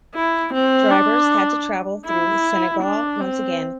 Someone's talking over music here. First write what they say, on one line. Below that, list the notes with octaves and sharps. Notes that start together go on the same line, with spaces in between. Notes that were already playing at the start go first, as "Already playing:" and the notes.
Drivers had to travel through Senegal once again.
E4
C4
D4
E4
D4
C4